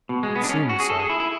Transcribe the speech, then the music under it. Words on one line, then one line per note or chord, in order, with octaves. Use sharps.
It seemed so.
B2
G#3
B3
D4
C#4
F#4
G#4
A4
G#4
E4
E4